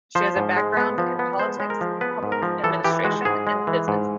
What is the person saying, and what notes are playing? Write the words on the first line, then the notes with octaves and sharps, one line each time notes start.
She has a background in politics, public administration and business.
F3 C5
G#2
G#3
B3
F3
B3
G#3 C5
G#3
A#4
F3
B3 B4
G#2
A#4
F3
E3 A4
E3 G4
G#3 F#4
G#2 G#4
G#3
E3
G#2